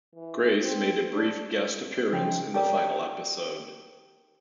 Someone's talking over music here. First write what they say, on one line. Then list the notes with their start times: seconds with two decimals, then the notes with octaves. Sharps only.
Grace made a brief guest appearance in the final episode.
0.15 E3
0.62 C4
1.14 D4
2.12 C#3 F3 D#4 C5 G5
2.54 G4 A#4 D5